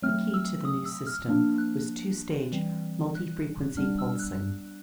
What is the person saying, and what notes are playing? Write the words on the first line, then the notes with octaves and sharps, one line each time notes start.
The key to the new system was two-stage multi-frequency pulsing.
F#3 A3 C4 F6
E6
D#6
E6
F6
F3 A#3 D4
F#6
E3 G3 C4
F#6
G3 B3 D4 F6
E6
F#6